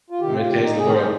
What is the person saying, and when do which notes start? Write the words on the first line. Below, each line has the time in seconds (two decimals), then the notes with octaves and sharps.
I'm gonna change the world.
0.10 F4
0.21 C3 D#3 G4
0.35 F4
0.50 C3 D#3 G4
0.64 D#4
0.78 C3 D#3 G#4
0.88 A#4
0.93 C5